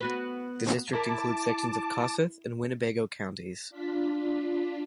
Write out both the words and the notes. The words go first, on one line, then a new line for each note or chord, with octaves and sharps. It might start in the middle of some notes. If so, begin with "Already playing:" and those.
The district includes sections of Kossuth and Winnebago counties.
B3 F#4 B4
E4 A#4 A5 D6
D4 F4 B6